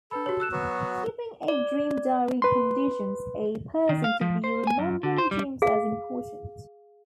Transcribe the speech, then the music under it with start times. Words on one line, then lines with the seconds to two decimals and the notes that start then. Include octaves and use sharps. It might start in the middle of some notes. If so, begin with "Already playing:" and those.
Keeping a dream diary conditions a person to view remembering dreams as important.
0.11 D4 A4 B4 B5
0.26 F#4 G4 C#5
0.40 E6 F#6 E7
0.52 F#3 B3 F#4
1.48 D5
2.42 B4 C6
3.89 D#3
4.04 F5
4.21 F3
4.44 C5
4.67 G#5
4.79 F#2
5.03 D3
5.18 C5
5.31 G3
5.62 G#4 F5